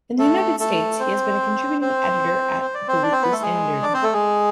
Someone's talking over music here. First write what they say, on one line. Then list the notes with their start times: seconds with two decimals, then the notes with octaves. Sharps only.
In the United States, he has been a contributing editor at "The Weekly Standard".
0.19 A3 A4
0.59 A3 A4
1.00 C4 C5
1.81 C4 C5
2.61 C5
2.74 D5
2.88 C4 C5
3.03 D4 D5
3.12 C4 C5
3.22 B3 B4
3.32 A3 A4
3.43 G#3 G#4
3.83 D4 D5
3.94 C4 C5
4.03 A3 A4
4.13 G#3 G#4